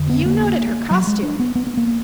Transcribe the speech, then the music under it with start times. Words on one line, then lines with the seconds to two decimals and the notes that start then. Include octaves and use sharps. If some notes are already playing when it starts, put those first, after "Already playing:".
You noted her costume.
Already playing: F2 D3
0.10 B3
0.26 A#3
0.91 F#3
1.07 G#3
1.23 D4
1.39 B3
1.55 B3
1.67 B3
1.77 A#3